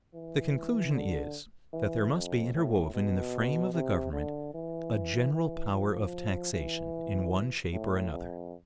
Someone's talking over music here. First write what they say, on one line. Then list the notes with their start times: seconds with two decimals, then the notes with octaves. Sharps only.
The conclusion is, that there must be interwoven, in the frame of the government, a general power of taxation, in one shape or another.
0.14 E3
0.94 D3
1.73 E3
2.14 F2
2.54 A2
2.94 B2
3.74 C3
4.13 D3
4.54 E3
5.33 E3
5.72 F3
6.53 E3
7.73 A2
8.12 F2